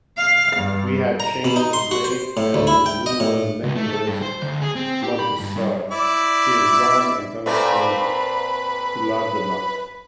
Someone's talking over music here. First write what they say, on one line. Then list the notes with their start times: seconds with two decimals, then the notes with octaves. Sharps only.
We had changed of maid and the new one’s name was Montserrat. She is blond and comes from Vilademat.
0.17 F5
0.56 G2
1.20 A#5
1.45 B2
1.56 D#4
1.73 C6
1.91 F#4
2.04 C5
2.37 A2
2.54 D2
2.67 E4
2.86 G5
3.06 D#5
3.20 A2
3.63 C#2
3.76 A3
3.90 A4
4.08 G2
4.22 C5
4.42 D2
4.62 G#4
4.76 C4
5.03 G4
5.19 B5
5.39 G2
5.56 G2
5.92 E4 D5 E5
7.46 A#2 A3 C4 B4